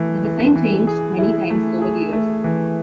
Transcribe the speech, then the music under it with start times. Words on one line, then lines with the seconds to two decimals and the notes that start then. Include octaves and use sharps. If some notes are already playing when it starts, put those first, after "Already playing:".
The design changed many times over the years.
Already playing: E3 A3
0.25 E3
0.56 E3
0.87 G#4
1.19 E4
1.50 A3
1.82 G#4
2.13 A3
2.44 E3